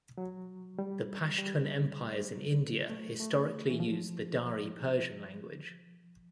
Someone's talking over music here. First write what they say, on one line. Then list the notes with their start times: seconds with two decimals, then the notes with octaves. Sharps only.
The Pashtun empires in India historically used the Dari Persian language.
0.18 F#3
0.79 G3
1.38 G3
2.29 F#3
2.90 A3
3.20 A3
3.70 E3
3.80 F3